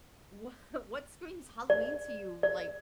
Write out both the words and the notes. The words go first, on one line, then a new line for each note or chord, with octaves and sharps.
wha what's screams Halloween to you, like,
D5
D5